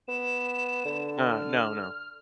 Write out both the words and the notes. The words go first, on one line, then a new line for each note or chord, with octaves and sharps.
Uh, no, no.
B3 E7
D3
F6